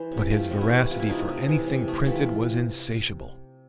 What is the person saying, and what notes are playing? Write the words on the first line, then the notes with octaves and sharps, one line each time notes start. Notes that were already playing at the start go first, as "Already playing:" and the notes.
But his voracity for anything printed was insatiable.
Already playing: E3 C5
C3
G4 A4
A3 F4 G4
C3
E4 F#4
E3
C3 F4
E4
A3 D#4 F4
C3
E3
C3
A3
E3 F4 G4